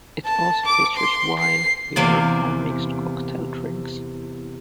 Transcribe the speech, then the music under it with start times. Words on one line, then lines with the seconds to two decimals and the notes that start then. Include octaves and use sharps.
It also features wine, beer, and mixed cocktail drinks.
0.25 A5
0.66 D6
0.97 C6
1.39 C7
1.96 E2 C3 A#3 D5